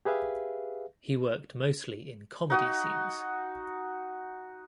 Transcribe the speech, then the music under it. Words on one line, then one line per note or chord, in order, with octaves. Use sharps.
He worked mostly in comedy scenes.
G4 G#4 B4 E5 F5
D#4 F#4 D#5